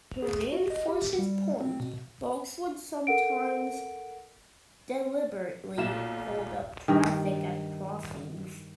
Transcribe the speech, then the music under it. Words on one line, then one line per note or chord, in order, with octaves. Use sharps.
To reinforce his point, Boaks would sometimes deliberately hold up traffic at crossings.
G#4
F#4
D#5
G4
G3
C4
B2
A4 A#4 F#5 D7
B1 A#2 F4 E7
G2 D#3